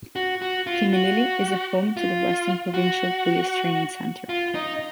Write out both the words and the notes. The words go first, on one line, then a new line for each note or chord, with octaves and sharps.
Kimilili is a home to the Western Provincial Police Training Center.
F#4
F#4
F4
F#4
F4
F#4
F4
D#4